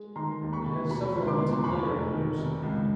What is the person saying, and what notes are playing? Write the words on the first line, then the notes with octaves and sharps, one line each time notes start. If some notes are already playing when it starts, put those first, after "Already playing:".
It has several multiplayer modes.
Already playing: G#3
D#3 A#5 C6
D#2
B5 C#6
D#2
B2 B5 C#6
C#2
C6 D6
B3
C6
E2 B5 C#6
F1
D#3
C3
C#2